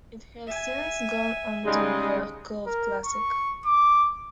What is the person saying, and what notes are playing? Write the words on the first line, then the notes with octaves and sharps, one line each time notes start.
It has since gone on to be a cult classic.
E5 G#5
C#3 G3 G#3 D#4
A#4
C#6
D6